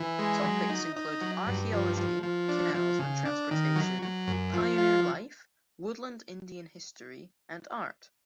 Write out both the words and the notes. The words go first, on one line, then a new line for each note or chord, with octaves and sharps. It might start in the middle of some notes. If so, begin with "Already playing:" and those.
Topics include archaeology, canals and transportation, pioneer life, Woodland Indian history, and art.
Already playing: E3
G#3
F#3
D#4
D#4
F#3
G2
F3
F3
F3
D4
F3
C#3
D4
D#3
F#3
F#3
F#2
F3
F4